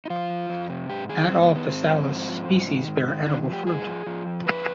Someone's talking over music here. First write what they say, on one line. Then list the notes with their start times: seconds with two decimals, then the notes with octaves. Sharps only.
Not all "Physalis" species bear edible fruit.
0.06 D#4
0.10 F3 F4
0.30 F2
0.50 F2
0.70 C3
0.89 G#2 G4
1.09 D#3 G#4
1.29 G#2 C4
1.42 B3
1.49 D#3
1.56 B3
1.69 G#2 C4
1.88 F3
2.08 G#2
2.29 F3
2.48 G#2
2.68 D#3
2.88 G#2
3.08 D#3
3.27 G2 D4
3.48 F3
3.53 G4
3.67 G2 G#4
3.87 F3
4.06 F3
4.26 F2
4.46 F2 B4